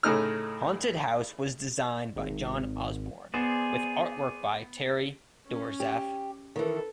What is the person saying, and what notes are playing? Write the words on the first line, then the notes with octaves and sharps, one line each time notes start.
"Haunted House" was designed by John Osborne, with artwork by Terry Doerzaph.
A2 C#3 A3 D#4 F6
G#1
B3 G#4 C5 D5
C#4
G4
D#3 E3 A4 B4